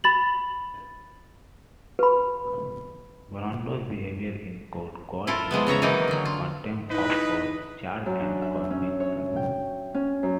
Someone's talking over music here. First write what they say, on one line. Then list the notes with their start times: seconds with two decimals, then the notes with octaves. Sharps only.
Brando's behavior in court got him a contempt of court charge and conviction.
0.04 B5 A6 F#7
1.99 B4 B5
5.27 E4 F4 A4 A#4
5.51 F3 G#3 A3 B3
5.67 C#3 C#5 E5 A#5
5.82 D#3 E3 F#3 A#3 D#4
6.08 D3 F#3
6.25 F4
6.90 D#4 E4 B4 D#5
8.06 F#2
8.20 D4
8.42 E5
8.70 C#4
9.00 C#5
9.36 G5
9.94 C#4
10.23 F#2